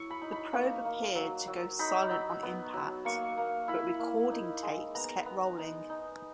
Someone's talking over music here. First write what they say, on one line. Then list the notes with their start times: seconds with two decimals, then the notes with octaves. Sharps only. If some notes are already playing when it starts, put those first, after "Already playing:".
The probe appeared to go silent on impact but recording tapes kept rolling.
Already playing: F#3 E4 C#6
0.10 B5
0.22 D#4
0.32 B5
0.53 A#3 C#6
0.85 A#3
1.15 F#3
1.48 F#3
1.79 D#4 B5
2.11 F#3
2.43 B3
2.74 F#3
3.05 A#3 C#6
3.37 A#3
3.68 E4 B5
3.99 A#3
4.32 D#4
4.63 G#3
4.95 B3 A#5
5.26 B3
5.58 D#4
5.90 D#4